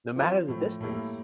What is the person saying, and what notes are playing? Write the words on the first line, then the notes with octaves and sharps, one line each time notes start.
no matter the distance,
F3 C4 F4 C5
A2 F3 A3
A2 G3 A#3 E4 A4